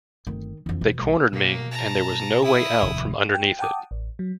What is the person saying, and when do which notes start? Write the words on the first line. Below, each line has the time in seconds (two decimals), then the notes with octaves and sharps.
They cornered me, and there was no way out from underneath it.
0.27 G1 D#3 A3 C4
0.66 E1 F2 D3 E3
0.81 B2
0.99 B1 G3 A3
1.33 B2 A#3
1.71 A5 A#5
2.43 E4 D#6
2.82 F1 D#2 A2
3.34 G5
3.59 F#5 G5 A5 D6 D#6
3.91 A1
4.19 F#3